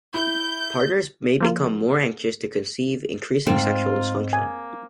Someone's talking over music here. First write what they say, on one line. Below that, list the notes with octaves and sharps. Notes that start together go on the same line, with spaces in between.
Partners may become more anxious to conceive, increasing sexual dysfunction.
E4 G6
F3 A#3 F4
G#2 C4 D#4 F4
A#3 G#5